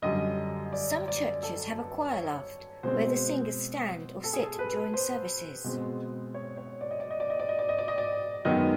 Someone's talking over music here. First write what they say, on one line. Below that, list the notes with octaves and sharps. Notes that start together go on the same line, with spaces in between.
Some churches have a choir loft, where the singers stand or sit during services.
F#2 D3 G3 D#5
D5
D5
A4
B4
C#5
B2 G#3 C4 C5
A4
G#4
A4
B4
C5
B2 G#3 C4
C#5
C#5
D5
D#5
D5
D#5
D5
D#5
D5
D#5
D5
D#5
D5
D#5
D5
F#2 D#3 G#3 B3 D#5